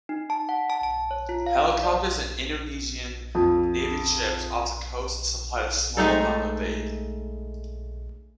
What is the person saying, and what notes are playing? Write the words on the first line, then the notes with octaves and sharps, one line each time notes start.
Helicopters and Indonesian navy ships off the coast supplied a small amount of aid.
D#4
A5
F#5
A5
A5
C#5
F4
F5
D5
F2
G#3 A3 D#4 A4